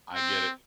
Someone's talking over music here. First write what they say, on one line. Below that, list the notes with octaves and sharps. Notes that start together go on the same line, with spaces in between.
I get it
C4